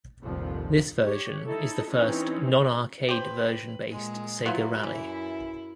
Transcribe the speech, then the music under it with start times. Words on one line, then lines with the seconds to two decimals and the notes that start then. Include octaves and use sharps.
This version is the first non-arcade-version-based Sega Rally.
0.22 F1 C2 F2 A#2 D#3 F3
1.03 G4 C#5
1.44 D#4 E4 A4
1.90 E3 C4 C#4 D#4
3.09 G4 B4 C5
3.89 A#2 G#3
4.46 F#3 B3 E4 F4
4.83 F#2 E3 E4